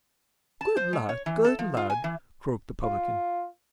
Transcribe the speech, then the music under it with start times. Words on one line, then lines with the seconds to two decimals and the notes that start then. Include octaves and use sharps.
"Good lad! good lad!" croaked the publican.
0.61 A5
0.77 C5
0.93 G#3
1.09 C#5
1.26 E3
1.45 A4
1.59 F3
1.77 F4
1.90 G#5
2.04 E3
2.83 F4